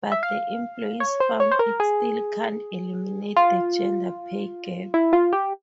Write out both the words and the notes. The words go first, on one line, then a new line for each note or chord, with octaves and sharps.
But the employees found it still can't eliminate the gender pay gap.
E5
F5
C#5
C5
C#5
C5
A#4
G#4
F4
E4
F4
G4